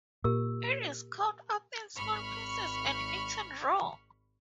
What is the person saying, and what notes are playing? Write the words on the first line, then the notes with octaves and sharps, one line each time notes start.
It is cut up in small pieces and eaten raw.
A#2 G4 A#4 E6
G#1 B5 C#6 F6